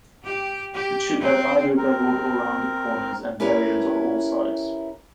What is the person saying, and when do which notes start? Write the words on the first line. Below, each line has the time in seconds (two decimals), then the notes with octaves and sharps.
It should have either beveled or rounded corners, and barriers on all sides.
0.25 G4
0.73 G4
1.22 C4
1.77 C4 A#4
3.40 C#4 E4 G4 A#4 B4 C#5